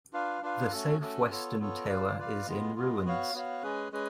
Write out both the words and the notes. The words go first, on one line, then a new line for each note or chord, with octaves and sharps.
The south-western tower is in ruins.
D4 F4 B4 F5
D4 F4 B4 F5
A3 C#4 F#4 A4
A3 C#4 F#4 A4
B3 F4 A4 C#5
B3 F4 A4 C#5
F4 B4 D5 F5
F4 B4 D5 F5
G#3 B3 F4
G#3 B3 F4
B3 F#4 C#5 F5
B3 F#4 C#5 F5
G#3 C#4 G#4 B4
G#3 C#4 G#4 B4